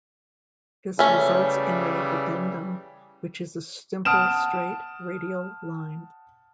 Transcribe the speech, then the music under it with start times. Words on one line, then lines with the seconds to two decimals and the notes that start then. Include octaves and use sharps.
This results in a dedendum which is a simple straight radial line.
0.99 C#3 E3 G3 A3 C#4
4.05 F#5 A5 D#6 F6 D7 E7